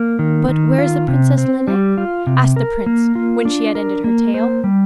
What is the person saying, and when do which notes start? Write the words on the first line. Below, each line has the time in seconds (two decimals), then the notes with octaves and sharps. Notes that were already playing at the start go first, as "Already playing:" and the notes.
'But where is the Princess Lineik?' asked the prince when she had ended her tale.
Already playing: A#3
0.19 D#3
0.49 D#3
0.78 F4
1.08 C3
1.38 C4
1.68 G3
1.98 F4
2.27 C3
2.56 A#4
2.86 A#3
3.15 F4
3.45 D4
3.75 A#4
4.04 A#3
4.34 C5
4.64 G3